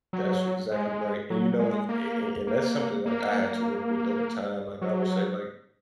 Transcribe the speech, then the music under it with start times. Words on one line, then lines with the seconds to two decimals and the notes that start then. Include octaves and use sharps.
That's exactly right, and you know, and and and that's something, like, I had to work with over time. Like, I would say, like,
0.13 F#3
0.71 G#3
1.30 F#3
1.59 G#3
1.89 A#3
2.47 A#3
3.06 A#3
4.81 F#3